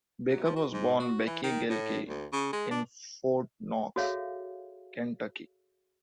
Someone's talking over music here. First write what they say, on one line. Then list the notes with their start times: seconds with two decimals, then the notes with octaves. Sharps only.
Baker was born Becky Gelke in Fort Knox, Kentucky.
0.30 F#3
0.45 F3
0.56 F#4
0.73 G#2
1.00 F#4
1.26 E3
1.43 D#3
1.70 A2
2.09 D2
2.33 C#3
2.53 G#3
2.71 D4
3.96 F#4 G#4 A4 C#5 E5 F5